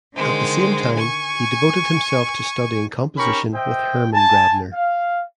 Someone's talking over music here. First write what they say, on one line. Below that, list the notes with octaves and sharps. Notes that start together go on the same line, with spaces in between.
At the same time he devoted himself to studying composition with Hermann Grabner.
D3 D#3 G#3 C5
G#5 C#6
C#4 D#4 G4 A#4 B5 C#6
C5 D#5 E5 G5
G#5 A5
F5